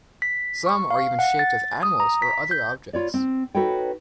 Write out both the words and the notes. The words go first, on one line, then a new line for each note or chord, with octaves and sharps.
Some are even shaped as animals or other objects.
B6
C#6
F5
F#5
A6
D#6
A#5
B6
G6
F4 C#5 D5
C4
D#4 F#4 A4 B4 C#5 G5